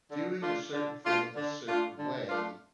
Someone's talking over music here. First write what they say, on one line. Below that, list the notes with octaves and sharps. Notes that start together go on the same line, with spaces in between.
doing a certain thing a certain way
D3
A3 D4 F4
D3
A3 D4 F4
D3
A3 D4 F4
D3
A3 D4 F4